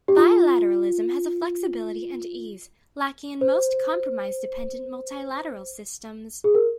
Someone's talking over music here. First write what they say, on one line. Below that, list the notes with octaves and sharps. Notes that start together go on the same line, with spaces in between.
Bilateralism has a flexibility and ease lacking in most compromise-dependent multilateral systems.
G4
F4
C5
G#4
A#4